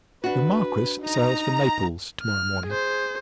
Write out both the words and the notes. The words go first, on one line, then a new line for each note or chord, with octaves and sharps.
The Marquis sails for Naples to-morrow morning.
D4 F#4 B4
D#4 A#5
F6
G#4 C5